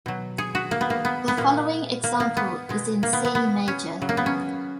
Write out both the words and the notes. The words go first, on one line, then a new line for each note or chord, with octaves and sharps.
The following example is in C major.
B2 F#3
G#4
F#4
A#3
B3
A#3
B3
B3
A#2 G#3 A#3
A#3
A#3
B3
B2 G#3
A#3
B3
B3
B3
C#4
C#3 F#3
A#3
B3
C#4